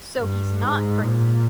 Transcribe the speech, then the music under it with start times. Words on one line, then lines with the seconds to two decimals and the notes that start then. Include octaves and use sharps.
So he's not crazy.
0.19 G2
0.61 G#2
1.02 A#2